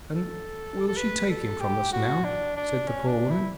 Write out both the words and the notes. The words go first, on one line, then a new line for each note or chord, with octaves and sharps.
'And will she take him from us now?' said the poor woman.
A4
A4
B4
A4
G4
F#4
D4
D4
C#4
D4
E4